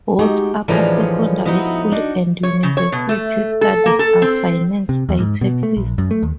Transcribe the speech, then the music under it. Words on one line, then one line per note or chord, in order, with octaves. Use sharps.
Both upper secondary school and university studies are financed by taxes.
G#3 D#4 F#4 G4
A2 D3 E3 F3 G3 G#3 C#4 A#5
B3 D#4 E4 F#4
D4 D#4 F#4
C#5
C#3
C#5
B2
A3
A4
A#3
A4
C4
C3
E2
G#2
B2
A3
A#1
F#2
A3
D#2